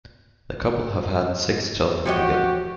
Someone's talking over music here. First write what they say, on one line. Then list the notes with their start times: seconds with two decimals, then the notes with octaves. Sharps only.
The couple have had six children together.
2.05 F3 F#4 G4 C#5 D#5